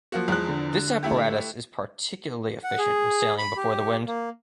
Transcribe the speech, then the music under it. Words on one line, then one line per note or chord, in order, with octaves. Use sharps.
This apparatus is particularly efficient in sailing before the wind.
F3 A#3 F#4
E2 F3 G#3 F#6
D3
A3 E4 G4
F#5
G#4
B5
G4
A#3